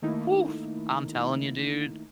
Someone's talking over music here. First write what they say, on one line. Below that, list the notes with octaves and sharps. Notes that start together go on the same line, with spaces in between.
Oof! I'm telling you, dude,
D#3 A3 A#3 D#4 E4